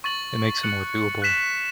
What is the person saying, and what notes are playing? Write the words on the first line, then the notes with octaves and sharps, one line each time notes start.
It makes it more doable.
C#6 A6 F#7
F#6 C#7 F#7
F#6 B6 E7